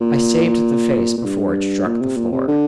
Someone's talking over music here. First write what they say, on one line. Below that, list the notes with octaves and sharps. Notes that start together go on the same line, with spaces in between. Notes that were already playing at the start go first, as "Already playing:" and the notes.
I saved the face before it struck the floor.
A#2
A#2
G2
A#2
C3
A#2
C3
D3